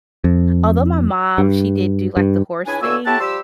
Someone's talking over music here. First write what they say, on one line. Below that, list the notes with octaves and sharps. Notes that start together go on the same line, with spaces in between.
although my mom, she did do like the horse thing,
F2
G2
G2
C#2 C#4 D4 E4 G#5
A2 D3 A#3 F#4 G#5 E6
E4 G4 A4 C#5 F#5 A5
F3 G3 G4 C6 E6